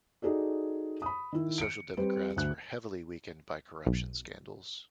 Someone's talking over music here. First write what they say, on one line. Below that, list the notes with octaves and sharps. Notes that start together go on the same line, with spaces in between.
The Social Democrats were heavily weakened by corruption scandals.
D#4 F#4 G#4 A4 D5
B5 D#6
D#3 E4
C#7 D7
G3 C4 G4 B4 C5
D2 D3 F#6
B1